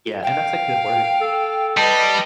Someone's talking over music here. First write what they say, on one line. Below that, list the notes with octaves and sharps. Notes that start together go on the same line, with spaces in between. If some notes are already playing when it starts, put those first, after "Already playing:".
Yeah, and that's a good word.
F5 G5
A4
G3 B4 D#5 A5